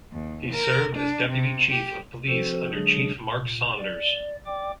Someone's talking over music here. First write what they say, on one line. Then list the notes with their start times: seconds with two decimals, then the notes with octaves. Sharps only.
He served as Deputy Chief of Police under Chief Mark Saunders.
0.12 D#2
0.51 A#4
0.96 D4
1.29 C3
1.71 G4
2.27 F3 C4 F#4 A4 C5
2.71 D3 F#3 G#3 D4 G#4
3.21 A#2
3.78 D5
4.45 D5 G5 D6